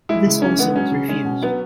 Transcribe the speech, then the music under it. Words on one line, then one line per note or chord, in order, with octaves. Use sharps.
This also was refused.
G#3 E4
C#3
E3 C#4
G#3 B3
F#3 C#4
C#3
G#3 C#4
B2
F#3 B3